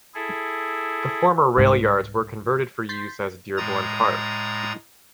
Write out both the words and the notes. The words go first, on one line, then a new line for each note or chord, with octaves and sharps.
The former rail yards were converted for use as Dearborn Park.
E4 G#4 A4
C2 G#2
C6 G6 A6 B6 C7
A2 G#3 A#5 D#6 A6